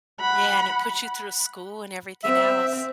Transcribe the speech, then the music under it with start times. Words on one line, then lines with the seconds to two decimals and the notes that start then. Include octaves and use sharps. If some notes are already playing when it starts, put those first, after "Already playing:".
Yeah, and it puts you through school and everything else.
0.20 F#5 B5
2.24 C4 E5